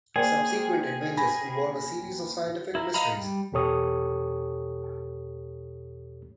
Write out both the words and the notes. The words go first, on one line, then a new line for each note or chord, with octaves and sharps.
Subsequent adventures involve a series of scientific mysteries.
A#3 G#4 C5 D5 G5
G#5 B5 A#6
E4 A#4
D#5 F5 A#5 B5
G3
E2 B2 G4 A4 C#5 D#6